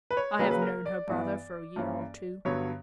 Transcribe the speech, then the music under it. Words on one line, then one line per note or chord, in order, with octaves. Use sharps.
I have known her brother for a year or two.
B4
C#5
C#3 F#3 A#3 C#4 B4
B4
A#4
D5
G2 E3 B3
G2 E3 A#3 C#4
G2 D3 F#3 B3 C#5